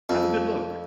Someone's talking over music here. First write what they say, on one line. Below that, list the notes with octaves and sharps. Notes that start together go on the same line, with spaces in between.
Have a good look.
F2